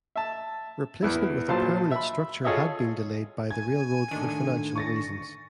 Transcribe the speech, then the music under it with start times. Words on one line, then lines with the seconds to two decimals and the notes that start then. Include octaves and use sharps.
Replacement with a permanent structure had been delayed by the railroad for financial reasons.
0.16 E5 A5
1.03 E2 E4
1.48 A#1 F#3 F4 C5 A5 C6
1.91 E5 B5
2.44 F4 G#4 A4 C#5 D#5 E5
3.51 G#5 G#6
4.11 A2 D3 D#3 D4
4.76 C#6 A6 A#6